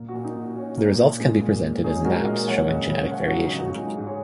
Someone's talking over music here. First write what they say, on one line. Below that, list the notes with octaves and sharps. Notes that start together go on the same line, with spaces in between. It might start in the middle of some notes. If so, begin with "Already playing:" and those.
The results can be presented as maps showing genetic variation.
Already playing: A#2 A#3
F#4
A#2
D#4
A#2
F#4
C#4
A#3
A#2
G#3
A#2
A#2
C#4 D#4 G#4
G#3 F#4 A#4
A#2 A#4 D#5
F#3 C#5 F#5
C#3
C#3
C#4 C#5 F#5
F#4
F#3
D#4
C#3
F#4
G#3 D#4 G#4
G#2
G#4 C#5